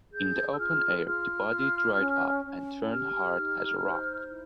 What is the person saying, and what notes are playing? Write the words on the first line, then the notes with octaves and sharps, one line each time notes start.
In the open air the body dried up and turned hard as a rock.
G#4 G6
E6
F4 F6
F4 F6
F4
C#4
C#4
G4 F6
D#4
C5
E4